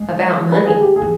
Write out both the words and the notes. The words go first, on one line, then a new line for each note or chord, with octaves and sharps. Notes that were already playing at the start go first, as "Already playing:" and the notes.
"About money."
Already playing: G#3
B4
G#4
G4
G#4
E3